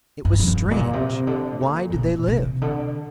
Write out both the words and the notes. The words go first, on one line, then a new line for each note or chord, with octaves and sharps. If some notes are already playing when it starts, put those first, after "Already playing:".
It was strange--why did they live?
G2
F2
G2
A#2
C3
D3
A#2
G2
A#2
C3
D3